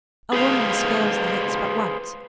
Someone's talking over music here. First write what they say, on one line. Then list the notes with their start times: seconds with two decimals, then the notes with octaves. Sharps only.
A woman scales the heights but once.
0.33 G#4 B4 C5 F5